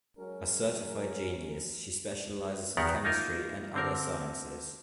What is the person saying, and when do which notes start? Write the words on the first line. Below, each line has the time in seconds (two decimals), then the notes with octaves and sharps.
A certified genius, she specializes in chemistry and other sciences.
0.18 F#3 G#3 C#4 A#4
2.77 E2 D#3 B3 A#4 F#5
3.04 A#3 D#4 F4 A#4
3.74 D3 C4 A#4